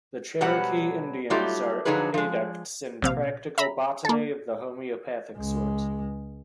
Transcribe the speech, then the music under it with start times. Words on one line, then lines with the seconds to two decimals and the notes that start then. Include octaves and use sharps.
The Cherokee Indians are adepts in practical botany of the homeopathic sort.
0.41 B2 F#3 G3 G4 B4 F#5
1.30 F#3 G3 A3 D#4 F4 G4
1.85 D3 F3 F#3 D#4 G#4 B4
2.14 F3 G#3
3.02 A#1 C3 F5
3.58 E5 A#5 B5
4.05 A#3 A4
5.37 C#2 G#3